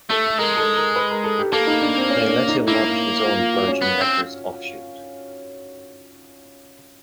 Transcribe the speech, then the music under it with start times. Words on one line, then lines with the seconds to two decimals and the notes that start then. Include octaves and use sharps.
They let him launch his own Virgin Records offshoot.
0.10 A3 A4
0.38 G#3 A#4
0.57 A4
0.77 A#4
0.96 B4
1.11 A#4
1.24 A4
1.39 G4
1.53 A#3 A4
1.67 D#4
1.82 D4
1.96 C4
2.10 C#4
2.21 C#4
2.29 D4
2.48 D#4
2.67 A#3 E4
3.24 F4
3.39 F4
3.54 F#4
3.68 C#4
3.82 B3
4.01 C4